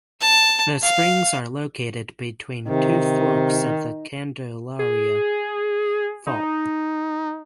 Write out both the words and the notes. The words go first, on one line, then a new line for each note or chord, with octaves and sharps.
The springs are located between two forks of the Candelaria fault.
A5
F5
C3 D#3
G#4
D#4